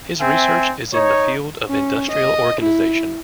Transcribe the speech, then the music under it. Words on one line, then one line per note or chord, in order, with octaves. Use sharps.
His research is in the field of Industrial Organization.
C4 E5 G#5
D#4 C#5
C#4
D#5
E4